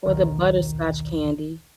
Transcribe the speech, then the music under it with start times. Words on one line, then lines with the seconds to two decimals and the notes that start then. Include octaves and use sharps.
Or the butterscotch candy.
0.05 D#1 B1 D#3